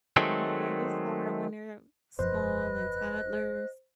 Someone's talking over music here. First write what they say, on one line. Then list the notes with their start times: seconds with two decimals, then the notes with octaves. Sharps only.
Right, it's hard when they're small and toddlers.
0.16 D#3 F#3 G#3 A3 C4
2.19 E1 F#2 F3 B4 C5 D#5 F#6